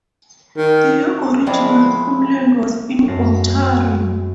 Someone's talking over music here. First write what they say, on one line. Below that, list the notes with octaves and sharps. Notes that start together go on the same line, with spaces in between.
Their original homeland was in Ontario.
D#3
F3 G#3 C4 E4 D5
F#2 F5 A5 A#6